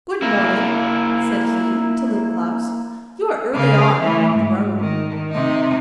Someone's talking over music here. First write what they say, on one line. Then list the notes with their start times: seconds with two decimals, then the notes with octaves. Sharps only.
'Good morning!' said he to Little Klaus. 'You are early on the road.'
0.22 A#3 E4
3.53 C#3 F5
4.01 E3 A3
4.35 G#2
4.80 D#3
5.31 C3 D#4